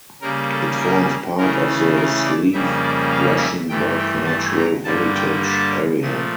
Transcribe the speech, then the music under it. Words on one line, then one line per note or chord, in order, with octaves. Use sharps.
It forms part of the Slieve Rushen Bog Natural Heritage Area.
C#3 G3 A#3 A#4
A4
A#4
C#3 E3 A3 A#4
A#4
D5
F2 C#3 G3 A#3 E5
D5
F5
E5
G2 E3 A3 G5
G5
A5
A#5
G2 D3 G3 A#3 A5
G5
A5
A#2 F3 A3